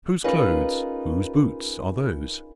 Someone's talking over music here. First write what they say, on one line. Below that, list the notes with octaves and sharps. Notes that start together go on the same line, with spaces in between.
Whose clothes, whose boots, are those?
C#4 D#4 F4 G#4 A#4 B4